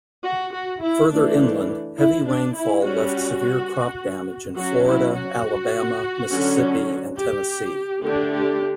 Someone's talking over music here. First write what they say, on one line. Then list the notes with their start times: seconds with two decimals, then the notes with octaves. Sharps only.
Further inland, heavy rainfall left severe crop damage in Florida, Alabama, Mississippi, and Tennessee.
0.23 F#4
0.53 F#4
0.82 E4
1.10 E3 A3 D4
1.98 E4
2.26 D4
2.55 E4
2.84 G3 C#4 F#4
4.57 F#3 C#4 F#4
4.86 E4
5.15 F#4
6.31 D3 F#3 C#4
7.17 G4
8.04 D3 A3 D4 G4
8.33 G4